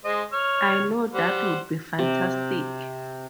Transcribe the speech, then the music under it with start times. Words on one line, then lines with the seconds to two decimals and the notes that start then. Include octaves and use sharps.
I know that would be fantastic.
0.05 G#3 C5 D#5
0.33 C#5 F6
1.14 G3 C5 F#5
1.99 C3